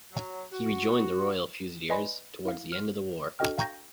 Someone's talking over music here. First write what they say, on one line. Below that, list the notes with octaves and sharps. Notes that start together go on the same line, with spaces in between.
He rejoined the Royal Fusiliers towards the end of the war.
F#3
F#4
B4 D5 D#5 G#5 B5 C6
E4 F5
F6
D4 F#4 A4 D#5 G5 F6
F5 G5 A#5 C#6 G6 A#6